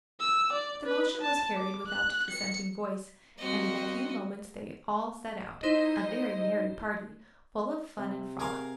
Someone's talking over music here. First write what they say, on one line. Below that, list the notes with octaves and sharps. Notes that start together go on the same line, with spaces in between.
The motion was carried without a dissenting voice, and in a few moments they all set out, a very merry party, full of fun and frolic.
E6
D5
B4
A5
D6
F#6
C#7
G3 A#3 C4 F#4 D#5
D#4 E4 C5 D#5
C3 C5
G#4 A#4 F5